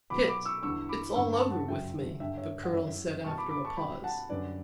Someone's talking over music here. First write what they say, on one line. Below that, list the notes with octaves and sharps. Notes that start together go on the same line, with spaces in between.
"Pitt, it's all over with me," the Colonel said after a pause.
B2 F#3 B5 D6
B5 D6
C#6 E6
E2 D3 G3 C#6 E6
B5 D6
G2 D3 G3 C#6 E6
A5 C#6
F#5 A5
F#2 C#3 F#3 E5 G5
G2 D3 G3 E5 G5
C#5 E5
F#5
F#2 E3 G3 C#5 E5
B2 G3 A5 C#6
B5 D6
B5 D6
A5 C#6
B2 G3 G5 B5
F#5 A5
F#2 D3 G3 B4 D5